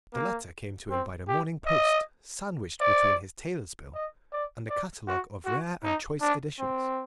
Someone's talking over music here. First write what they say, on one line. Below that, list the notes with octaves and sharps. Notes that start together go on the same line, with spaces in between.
The letter came to him by the morning post, sandwiched between his tailor's bill and a catalogue of Rare and Choice Editions.
A#3
C4
G4
D#5
D5
D#5
D5
D5
F#4
F#4
D#4
D4
C4